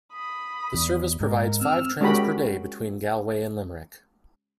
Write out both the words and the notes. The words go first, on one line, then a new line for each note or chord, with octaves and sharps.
The service provides five trains per day between Galway and Limerick.
B5 D#6
E2
G#2 A#4
C4 E6 F6
G#3 C#4 F#4 G4 A#4 B5